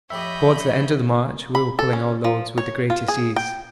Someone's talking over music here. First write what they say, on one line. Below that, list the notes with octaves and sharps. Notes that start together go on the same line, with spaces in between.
Towards the end of the march we were pulling our loads with the greatest ease.
F2 A2 G4 C#5 D#5 E5 B5 G6
B5
A4
C#4
F3
C#5
F4
G#4
G5